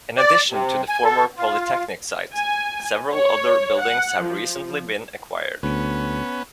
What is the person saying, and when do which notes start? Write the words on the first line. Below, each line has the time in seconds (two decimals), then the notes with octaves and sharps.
In addition to the former Polytechnic site, several other buildings have recently been acquired.
0.18 D5
0.50 C3
0.89 G#5
1.04 A4
1.38 F4
2.36 G#5
3.13 C#5
3.81 F#5
4.22 F3
5.63 D2 B3 C#4